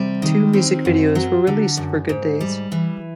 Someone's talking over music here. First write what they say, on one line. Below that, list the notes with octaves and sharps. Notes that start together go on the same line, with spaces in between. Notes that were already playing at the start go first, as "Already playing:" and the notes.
Two music videos were released for "Good Days".
Already playing: C3 G3
D#3
C4
F#2
F#3
D3
F#2
G#2
G3
E3